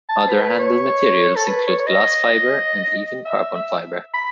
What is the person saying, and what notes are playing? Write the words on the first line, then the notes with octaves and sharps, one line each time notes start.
Other handle materials include glass fiber and even carbon fiber.
A5
B4
C#5
A4
B4
C#5
C#5
D#5
E5
E5
B5